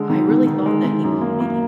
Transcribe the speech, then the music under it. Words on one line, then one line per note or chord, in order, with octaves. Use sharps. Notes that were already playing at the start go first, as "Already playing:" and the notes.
I really thought that he would maybe,
Already playing: D3 G#3
D#3
D#3
D#3
G#3
D#3
F#2
A#3
A#3